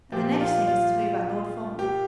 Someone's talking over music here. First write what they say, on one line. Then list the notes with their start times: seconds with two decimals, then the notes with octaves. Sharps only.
"And the next thing is to tell you about Lord Fawn."
0.12 A#2 F3 G4
0.40 F4
0.67 F4
1.79 G4